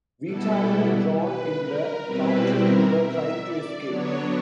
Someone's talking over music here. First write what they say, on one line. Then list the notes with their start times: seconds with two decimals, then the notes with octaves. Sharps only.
Weetamoo drowned in the Taunton River trying to escape.
0.24 B2 G3 B3 E4 A4
1.14 B4
1.59 A#4
2.04 B2 G3 C4 E4 B4
2.50 A#4
2.94 E5
3.41 D5
3.85 D3 F#3 B3 D4 C#5